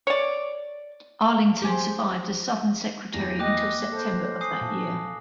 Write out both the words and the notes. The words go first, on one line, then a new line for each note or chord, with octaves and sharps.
Arlington survived as Southern Secretary until September of that year.
C#5 D5
G4 G#4 C5
E2 G4 A#6
A#3 D#5 G5 D6 F#6
A4 C5
G#5 D#6 C7
A#2 F5 A5